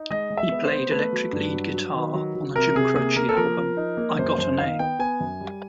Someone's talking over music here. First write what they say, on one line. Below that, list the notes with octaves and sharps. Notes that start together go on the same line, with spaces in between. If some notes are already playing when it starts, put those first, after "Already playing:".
He played electric lead guitar on the Jim Croce album, "I Got a Name".
Already playing: D#4
G#3 D#5
G#3
E5
B3
C5
B3
A3 B4
F#3
G2
F#3
F#3
D#3
F#3
F#3
C3 A#4
C3 G#4
A#3 G#4
A#3 A#4
A4
F3 A#4
F3
D#4
A#3
F#2 C5
F#2 C5
D#3 F5
B3 G5
B3 G#5
F#2
G3